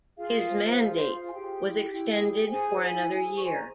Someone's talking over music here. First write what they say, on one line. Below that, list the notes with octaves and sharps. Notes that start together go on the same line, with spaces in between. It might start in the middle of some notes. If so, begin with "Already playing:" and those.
His mandate was extended for another year.
F4 G#4 F5
C5
F4 G#4 F5
C5 C6
G#4
F4 F5
G#5
G4 G#4 G5
E4
E4
G#4
G#4 C5 G#5
E4
G#4
C5 C#6
C6
A#5